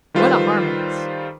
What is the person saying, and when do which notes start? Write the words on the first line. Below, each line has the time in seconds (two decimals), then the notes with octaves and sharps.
What a harmonist!
0.14 D#3 G3 F4 A4 B4 C5